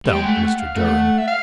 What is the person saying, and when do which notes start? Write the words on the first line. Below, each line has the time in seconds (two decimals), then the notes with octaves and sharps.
"Don't, Mr. Durham!"
0.05 G3
0.13 G#3 G5
0.25 A3 F#5
0.42 F#5
0.58 F5
0.76 A3 F#5
1.18 E5
1.27 F5